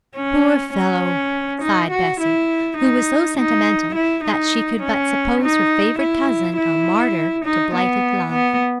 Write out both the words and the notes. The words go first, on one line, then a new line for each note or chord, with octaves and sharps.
'Poor fellow!' sighed Bessie, who was so sentimental that she could but suppose her favourite cousin a martyr to blighted love.
C#4
C#4
D#4
F#4
E4
D#4
D#4
E4
D#4
C#4
D#4
E4
E4
D#4
B3
B3